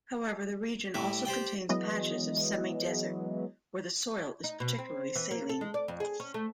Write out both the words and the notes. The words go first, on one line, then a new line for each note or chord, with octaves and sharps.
However the region also contains patches of semi-desert where the soil is particularly saline.
A2 G3 E5 D6
G4 C5 D5 G5
E3 F#3 G#3 B3 D#5
D#4
B2
C4
E3
A#3
A4
G#3
D5
F2
G#4
C#4
A3